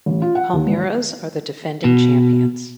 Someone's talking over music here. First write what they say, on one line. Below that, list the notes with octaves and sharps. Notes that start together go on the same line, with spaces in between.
Palmeiras are the defending champions.
A1
F4
F#5
D#2
G#1
B2